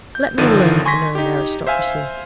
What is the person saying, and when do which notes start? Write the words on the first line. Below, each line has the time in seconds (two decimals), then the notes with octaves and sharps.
Let me alone for knowing the aristocracy.
0.15 G6
0.38 G1 D3 D#3 F3 D#7
0.85 G#5 C6 C#6 G#6 A#6 B6
1.15 D#4 G4
1.67 C5 E5 F5 G#5